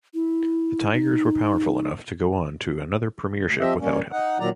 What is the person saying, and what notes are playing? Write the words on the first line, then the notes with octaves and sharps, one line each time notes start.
The Tigers were powerful enough to go on to another premiership without him.
E4
D#4
D2
F3 C4 G4 D#5 E5
G3 A#3 C#4
D#4 F#5
A#2 D#3 F#3 D5 A#5